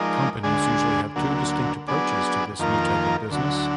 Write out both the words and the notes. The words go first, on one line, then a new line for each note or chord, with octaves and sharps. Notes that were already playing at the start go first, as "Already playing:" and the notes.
Companies usually have two distinct approaches to this new type of business.
Already playing: F3 G#3 D#4 A#4 D5
D2 D3 G#3 D4 G#4
D2 D3 F#3 A#3
F#3 B3 D4 G#4 D5
F2 D#3 A#3 F4 A#4
D2 D3 F#3